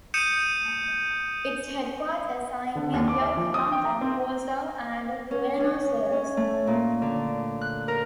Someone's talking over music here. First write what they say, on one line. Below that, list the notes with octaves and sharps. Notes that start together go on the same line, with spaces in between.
Its headquarters are in New York, London, Warsaw and Buenos Aires.
D#6 G6 C#7 D#7 E7
D3
D#2
D6
E5
F3
D#6
G5
A#5
C4
C#4
C#4
C#4
A3
A#2
D3
F#6
A#4